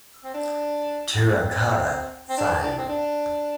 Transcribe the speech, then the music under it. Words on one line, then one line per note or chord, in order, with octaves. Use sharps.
Terracotta Sighing.
C4
D4
C4
C4
D4
D4
C4
D4